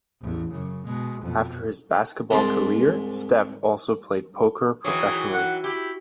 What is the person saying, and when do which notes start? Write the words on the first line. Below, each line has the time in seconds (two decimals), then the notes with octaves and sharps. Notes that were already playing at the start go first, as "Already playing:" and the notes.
After his basketball career, Stepp also played poker professionally.
0.21 A1 E2
0.51 F#2 C#3
0.86 B2 G#3
1.22 F2 B2
2.31 C2 G#2 D4 A5 C6
4.84 D#3 E3 F#3 G#4
5.34 F#5
5.64 E4 G4